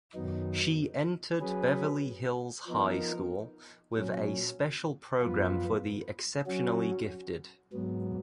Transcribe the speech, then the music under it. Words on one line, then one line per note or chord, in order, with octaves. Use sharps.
She entered Beverly Hills High School with a special program for the exceptionally gifted.
F#2 D#3 F#3 B3 D#4
F#3 C#4 G#4 B4
F3 B3 D#4 A#4
A#2 F#3 C#4
F#2 F3 B3 F4 B4
F#3 C#4 F#4
G#2 F#3 B3